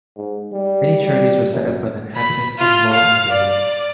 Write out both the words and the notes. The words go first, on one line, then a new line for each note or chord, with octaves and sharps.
Many charities were set up by inhabitants of Mol and Balen.
G#2
G3
G3
F#2
B5
F4
F5
D5